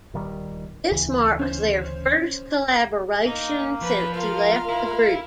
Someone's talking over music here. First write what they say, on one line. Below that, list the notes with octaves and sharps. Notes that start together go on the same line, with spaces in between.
This marks their first collaboration since he left the group.
D#1 D#3 G3
D2 C#3 E3
C#4 C5
A#3 D#4
F3 B4
F4 A#4 F5
E4